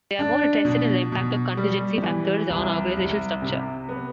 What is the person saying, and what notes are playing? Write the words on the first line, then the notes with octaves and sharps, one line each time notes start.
They are more interested in the impact of contingency factors on organizational structure.
D4
B2
B2
G3
E3
C2
C2
C3
B3